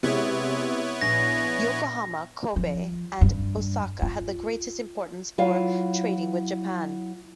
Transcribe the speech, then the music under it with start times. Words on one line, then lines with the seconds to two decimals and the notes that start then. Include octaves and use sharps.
Yokohama, Kobe and Osaka had the greatest importance for trading with Japan.
0.03 C3 G#3 B3 E4 C#5
1.01 A#1 A#6
2.56 F3
3.21 G2
4.02 F4
5.38 F#3 E4 F4 F5